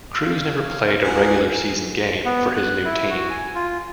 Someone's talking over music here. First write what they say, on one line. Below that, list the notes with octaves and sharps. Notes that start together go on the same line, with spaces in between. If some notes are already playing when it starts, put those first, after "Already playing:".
Crews never played a regular season game for his new team.
F5
C#2 G#4 A#4 F#5 G#5
B3
F#6
E4
F#4
G#5
F4